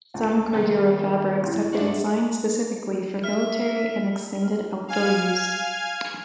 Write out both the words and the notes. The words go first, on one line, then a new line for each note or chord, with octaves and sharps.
Some Cordura fabrics have been designed specifically for military and extended outdoor use.
C#2
C3 D#3 A#3 B3 A4
C2 A2
G2 G#3 D4 E4 F#4
E5 F6
F5 G#5 F6 G#6